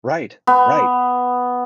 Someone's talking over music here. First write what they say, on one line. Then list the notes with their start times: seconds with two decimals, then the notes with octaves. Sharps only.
Right, right.
0.47 B3